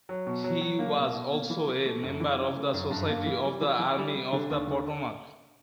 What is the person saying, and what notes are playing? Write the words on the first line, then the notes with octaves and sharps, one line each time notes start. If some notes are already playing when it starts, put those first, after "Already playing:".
He was also a member of the Society of the Army of the Potomac.
F#3
B2
F#3
F#3
A#3
B2
B2
A#3
E3
E3
A3
F#2
E3
C#3
A3
F#2
G2
A#3
E3
G3
E3
E3
G3
G3
D3
D#2
D3